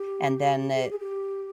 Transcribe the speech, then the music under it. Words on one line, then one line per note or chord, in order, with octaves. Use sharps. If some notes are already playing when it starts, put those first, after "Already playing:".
and then it
Already playing: G4
G#4
G4
G#4
G4